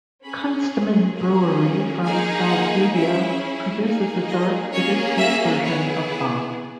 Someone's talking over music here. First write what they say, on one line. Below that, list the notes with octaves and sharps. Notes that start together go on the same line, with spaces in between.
Kunstmann Brewery from Valdivia produces a dark, bittersweet version of bock.
C#4 G#4 B5
A#3 C#4 G#4
A#3 D#4 G#4 G#5
F#5
C#4 E4 G#4 E5
A#3 D#4 G#4
D#5
A#3 C#4 G#4 C#5
E5
B3 E4 G#4 C#5
B4